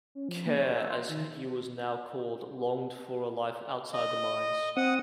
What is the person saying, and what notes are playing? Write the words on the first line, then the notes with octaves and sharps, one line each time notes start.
"Keir", as he was now called, longed for a life outside the mines.
C#4
F3
A#3
C#5
E6
C6
D#3
D#5
C4 F#5 D#6